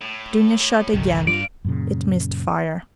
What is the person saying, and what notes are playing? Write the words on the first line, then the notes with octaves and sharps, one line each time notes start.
Dounia shot again: it missed fire.
A2
G1 C2 D3 D#3 A3
G2 F4 D5 F5 D7
F#2 A#2 C#3